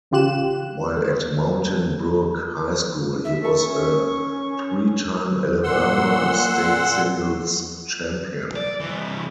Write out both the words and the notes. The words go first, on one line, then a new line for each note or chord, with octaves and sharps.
While at Mountain Brook High School, he was a three-time Alabama state singles champion.
A1 C#3 F4 G4 F#6 E7
E5
A4 C#6
C#4
A#2 F#5 C6 E6
D5
C2 E3